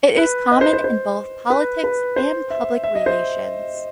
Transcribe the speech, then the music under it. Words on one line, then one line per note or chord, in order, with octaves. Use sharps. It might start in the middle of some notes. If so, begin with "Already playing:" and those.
It is common in both politics and public relations.
B4
D#5
C5
C5
C5
B4
B4
C5
E5
E5
D#5
C5